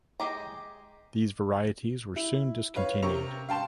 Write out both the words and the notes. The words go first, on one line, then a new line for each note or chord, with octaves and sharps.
These varieties were soon discontinued.
G#3 G4 A#5
E4
B4 C#5 F5
C3 A#4 C#6 F7
F5 G5 A5 C6